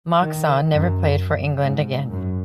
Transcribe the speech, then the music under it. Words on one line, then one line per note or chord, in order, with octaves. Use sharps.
Moxon never played for England again.
D#3
F#2
G#2
F#2